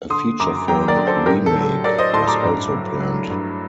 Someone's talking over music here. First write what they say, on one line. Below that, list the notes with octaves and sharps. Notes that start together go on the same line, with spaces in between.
A feature film remake was also planned.
D3 C6 D#6
F#2 A#5 D6
F#3 G5 A#5
A#4 D5
D3
A4 C5
A2 G4 A#4
A4
F#3
F#3 A#4 D5
C5 D#5
A2 A5 C6
A#5 D6
G2
F#3
F#3
G2